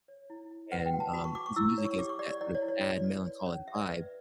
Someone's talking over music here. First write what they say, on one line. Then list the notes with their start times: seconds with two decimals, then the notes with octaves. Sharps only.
and, um, his music is that sort of sad, melancholic vibe,
0.08 C#5
0.30 E4
0.51 E4
0.72 B4 F#5
0.86 G5
0.93 F#4
1.00 A5
1.13 F#4 B5
1.24 C#6
1.35 F#4 D6
1.46 C#6
1.56 E4 E6
1.78 C#5
1.85 C#6
1.99 G4 D6
2.09 C#6
2.19 G4 D5
2.30 D5
2.41 E4 D5
2.55 C#5
2.62 E4
2.68 C#5
2.83 F#4 D5
3.04 B4
3.25 C#5
3.46 C#4
3.67 G4 E5
3.75 D5
3.82 E5
3.89 B4